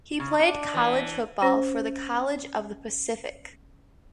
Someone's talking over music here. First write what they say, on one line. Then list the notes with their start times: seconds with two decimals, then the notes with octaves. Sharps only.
He played college football for the College of the Pacific.
0.20 C#3
0.39 D4
0.74 E3
1.42 C#4 C5 A#6